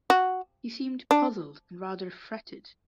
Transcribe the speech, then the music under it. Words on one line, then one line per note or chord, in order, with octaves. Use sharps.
He seemed puzzled and rather fretted.
F#4
D4